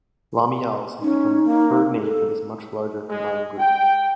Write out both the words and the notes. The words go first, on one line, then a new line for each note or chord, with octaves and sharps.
Lamiales has become the preferred name for this much larger combined group.
C#4 D#4
A#3
A4
G#3
G5